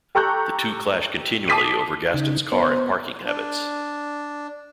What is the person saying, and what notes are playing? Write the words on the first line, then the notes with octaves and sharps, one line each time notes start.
The two clash continually over Gaston's car and parking habits.
G4 A4 A#5 C#6 F#6 G6
A5 D6 D#6 B6 C7 D#7
C#3 D#4
B3 C5
D4